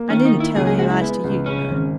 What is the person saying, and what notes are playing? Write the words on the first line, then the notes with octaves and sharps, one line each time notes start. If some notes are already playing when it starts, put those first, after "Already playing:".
I needn't tell any lies to you, you know.
Already playing: A#3
D#3 C#4
D#4
A#3
E4
C#2 G#4
G#4
G#3 F#4
E4
B3
C#2
C#3 C#4
G#1